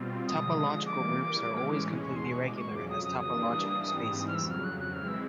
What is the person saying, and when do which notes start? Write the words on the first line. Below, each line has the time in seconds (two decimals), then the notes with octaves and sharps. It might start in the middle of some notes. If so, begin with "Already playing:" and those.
Topological groups are always completely regular as topological spaces.
Already playing: B2 G3 C4 F4
0.27 D3 F3 G#3 D#6
0.86 E3 G3 A#3 D6
1.44 A2 E3 G#3 C#4
2.02 E2 B2 G#3 C#6
2.16 C6
2.32 C#6
2.47 D6
2.57 D6
2.60 F2 C#3 F#3 C#6
2.75 D6
2.90 D#6
3.04 D#6
3.19 E3 G3 A#3 D4 D#6
3.77 G#2 E3 G3 C4
4.27 F6
4.35 F2 C#3 F#3 E6
4.50 F6
4.64 F#6
4.80 F#6
4.93 E3 G#3 C4 E4 F6
5.08 E6